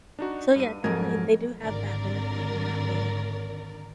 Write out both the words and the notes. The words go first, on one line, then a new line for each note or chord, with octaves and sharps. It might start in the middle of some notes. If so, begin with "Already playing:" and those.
So, yeah, definitely, they do have that benefit in that way
D4 D#4 F#4
G2 D#7
F2 G#2 F#3 A#4 G#6
G#1 D3 A#4 D5